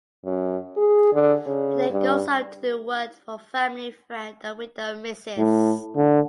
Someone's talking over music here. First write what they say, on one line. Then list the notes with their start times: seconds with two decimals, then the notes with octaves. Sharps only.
He then goes off to do work for family friend and widow Mrs.
0.25 F#2
0.77 G#4
1.13 D3
1.47 C#3
1.90 G2
5.38 A2
5.96 D3